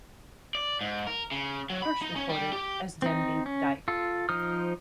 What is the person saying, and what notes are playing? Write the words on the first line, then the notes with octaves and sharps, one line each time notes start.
First recorded as Denby Dyke.
D5
G#2
A#4
C#3
F#3
B5
D#4
C#4
G3
G4
C4 D#4
C#4
F4 A4
F3 D#4 C5 D#6 F6